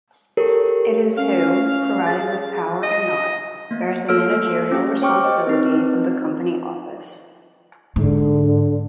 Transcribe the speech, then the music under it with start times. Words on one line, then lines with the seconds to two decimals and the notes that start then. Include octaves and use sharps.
It is who, provided with power or not, bears the managerial responsibility of the company office.
0.37 G4 A4 A#4 C#5
1.17 C#4 F5
2.07 G#4 A6
2.83 D#5
3.71 A#3 B3
4.08 A#3 A4 C#5 E6 F6 D7
4.72 C#4 G4
5.02 C5 C#5 G5 C#6 D6 F6
5.24 D#5
5.47 C4 D#4 B4
7.96 G#2 D3